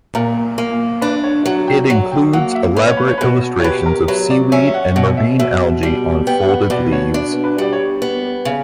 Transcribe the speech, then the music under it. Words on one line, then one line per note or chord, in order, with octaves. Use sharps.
It includes elaborate illustrations of seaweed and marine algae on folded leaves.
A#2 A#4
A#3
D4 B4
C#5
F#3 F#5
G5
F#3 F#5
G5
A#3 F#5
F#5
E5
C#4 B4
C#5
B4
C#5
B2 B4
C#5
G4 B4
A#4
F#3 B4
D5
C#4 E5
E5
F#5
B2 F#5
E5
B2 E5
G3
B3 G5
F#5
B2 D5
C#5
D4
B4
G3 D5
C#5
B3
C#3